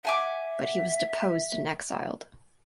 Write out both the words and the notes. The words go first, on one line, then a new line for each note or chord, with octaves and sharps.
But he was deposed and exiled.
E5 F#5 G#5 D6